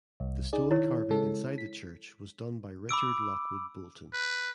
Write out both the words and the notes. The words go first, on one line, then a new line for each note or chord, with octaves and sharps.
The stone carving inside the church was done by Richard Lockwood Boulton.
C2
D#4 G#4 D5
D#3 E4 C#5
C#3 G#3 A4
B6
B5 D6 E6 D7
B4